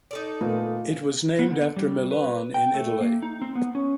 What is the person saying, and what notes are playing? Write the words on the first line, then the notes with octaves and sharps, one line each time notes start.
It was named after Milan, in Italy.
D#4 A4 D5
A#2 A3 B3
B3
D3
G3
B4
G5
A3
A#3
D#4
C4
B3
C#4